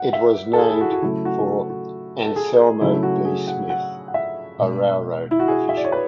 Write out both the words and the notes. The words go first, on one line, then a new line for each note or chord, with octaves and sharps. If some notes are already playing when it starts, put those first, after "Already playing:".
It was named for Anselmo B. Smith, a railroad official.
Already playing: F#5
E5
A4
G#4
E4
F#4
F#4
C#3 F#3 A3 E4
F#4
A4
F#4
A4
G#4
C#3 F#3 A3 E4
F#4
G#4
F#5
F#5
F#5
E5
B2 G#3
E4
F#4
G#4
E5
D5
C#5
B4